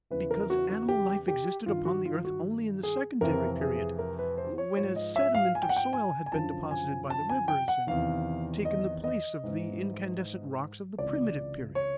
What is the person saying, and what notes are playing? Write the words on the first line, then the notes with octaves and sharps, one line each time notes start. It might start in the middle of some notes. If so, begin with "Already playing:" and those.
"Because animal life existed upon the earth only in the secondary period, when a sediment of soil had been deposited by the rivers, and taken the place of the incandescent rocks of the primitive period."
E2 C#3 E3 B4
A#4
F#4
F#4
G4
G4
G2 D#3 F4
F#4
F4
F#4
G#4
F2 C3 E3 A#4
G#4
A#4
B4
C5
C#5
G#2 F3 C#5
D#5
E5
F5
G#5
G5
F#5
G5
G#5
G#5
F#2 D3 F3 A5
G#5
A5
G#5
G5
F#5
E2 C3 D#3 F5
D#5
D#5
G#2 E3
C#2 C3 E3 D5
C#5